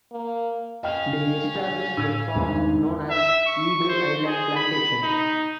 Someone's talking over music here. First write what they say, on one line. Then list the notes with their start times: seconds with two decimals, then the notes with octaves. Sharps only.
They established a farm known as Eagle Island Plantation.
0.12 A#3
0.83 C#4 D#5 F5 G5 F6
1.97 A2 E6 G#6
2.36 G#1 E2 G2 D#3
3.10 E5
3.46 C#6
3.89 C5
4.26 G#4
4.56 B5
5.03 D#4